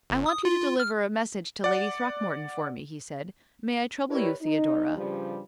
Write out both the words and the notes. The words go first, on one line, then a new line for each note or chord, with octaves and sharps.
"I want you to deliver a message to Lady Throckmorton for me," he said. "May I trouble you, Theodora?"
G1
D#6
F4
F6
D5 F#5
E4 G4 A#4 B4 C#5 D5
D#4
G2 C#3 F3 G3